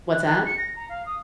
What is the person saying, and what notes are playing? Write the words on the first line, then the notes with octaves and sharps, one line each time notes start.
What's that?
F#6
F#6
C#7
A#6
A#5
F5
D#6